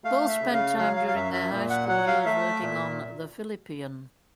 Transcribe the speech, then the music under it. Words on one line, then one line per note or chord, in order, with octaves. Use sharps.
Both spent time during their high school years working on "The Phillipian".
A3 F5
E5
C#3
F5
F#3 F5
F5
F5
F#2 E5
E5
A#2
F#5
F#3 F#5
F5
A3 E5
A#2